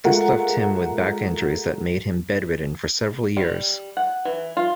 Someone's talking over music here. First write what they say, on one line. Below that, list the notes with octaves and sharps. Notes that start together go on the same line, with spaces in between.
This left him with back injuries that made him bedridden for several years.
G#3 A3 F4 A#4 F#5
G3
F#5
E3
F4